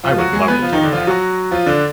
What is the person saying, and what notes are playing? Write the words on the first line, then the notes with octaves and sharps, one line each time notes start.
I would love to take a nap.
F3 F4
F#3 F#4
G#3 G#4
B3 B4
F3 F4
D#3 D#4
D3 D4
F3 F4
F#3 F#4
F3 F4
D3 D4